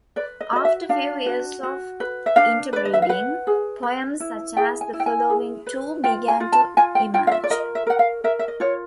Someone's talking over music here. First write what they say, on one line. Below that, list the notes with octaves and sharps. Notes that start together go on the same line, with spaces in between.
After few years of interbreeding, poems such as the following two began to emerge.
B4 D5
D#5
F#4 D#5
E5
D4 F5
F#4
F#4
B4
E5
D4 F5
B4 D5
D#5
E5
F5
B4 F#5
G#4
B4
E4
G#4 G5
G#5
E4
G5
G#5
G#4
B4
F4 G5
G#5
F4
A5
F4 G#5
G5
F4 G5
F5
E5
D5
A#4 D#5
E5
A#4 F#5
F5
A#4 E5
E5
D#5
F4 C#5